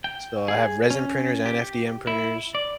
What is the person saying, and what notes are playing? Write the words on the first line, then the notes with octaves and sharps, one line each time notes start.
So, I have resin printers and FDM printers.
G5
G#4
C#4
G4
E4
D5